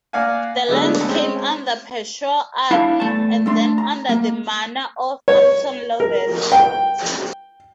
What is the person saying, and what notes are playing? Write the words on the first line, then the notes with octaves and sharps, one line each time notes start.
The lands came under Pershore Abbey and then under the manor of Hampton Lovett.
A#3 D5 F5 F#5 G#5
D3 F#3 G#3 A3 B3 D4
G#3 C4 C#4
D4 E4 F5 A5 B5
E2 A3 A5
A3 D4 C6
A#5
A#3
C#5
A#4
G5